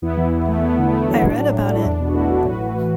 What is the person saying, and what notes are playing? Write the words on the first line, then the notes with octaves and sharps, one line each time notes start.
I read about it.
E2 B3 E4
E3
E2
A3
E2 B3 E4
D3 B3 E4
A3
F#3
B3
A2 D4
F#3
A2
A3
E4
E2 D4
B2 B3
F#4
A3 B3 E4
F#3 D4
A2 F#4 B4
E3
A2